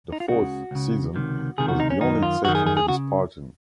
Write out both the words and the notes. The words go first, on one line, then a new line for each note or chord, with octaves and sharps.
The fourth season was the only exception to this pattern.
D#4
F4
C#2 C#3 F#4
C#2 C#3
C#2 C3 D#3
C#2 C3 D#3 G#4
F#4
D#4
C#4
F#2 D#3 D#4
F4
F#2 D#3 F#4
G#4
G#4
G#4
C#3 F#4